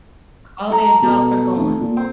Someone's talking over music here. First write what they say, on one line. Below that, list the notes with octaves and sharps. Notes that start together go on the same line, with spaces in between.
All the adults are gone.
A4 A#5
B2
F1
A#2
C4